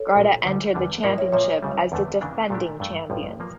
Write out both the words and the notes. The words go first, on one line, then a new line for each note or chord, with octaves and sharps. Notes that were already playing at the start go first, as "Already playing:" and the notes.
Garda entered the championship as the defending champions.
Already playing: A4 C#5
A#1 A#2 G3
D2 D3 G3
E2 D3 G3 D4
A2 F3 A#3 E4 A#4 D5
C#5 E5
A#2 F3 A#3 C#5 E5
C#2 C#3 G3
E2 D3 A3
C#3 E3 A#3 D4
A#2 A3 D4 G4
G2 E3 A3
A1 G2 F3
F3 A#3